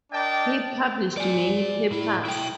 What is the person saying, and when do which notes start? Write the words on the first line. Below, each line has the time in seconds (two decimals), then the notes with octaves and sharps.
He published many papers.
0.12 D4 A#4 D5 D#5 G5 A5
1.17 D5 G#5
1.91 A2 E4
2.25 E4 G5